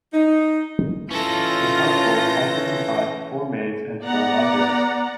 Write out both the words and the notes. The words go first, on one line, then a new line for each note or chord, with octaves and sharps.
His household also comprised four maids and four lodgers.
D#4
E3 C#4 F4 A4 G6 A#6
B3 D5 F#5 A#5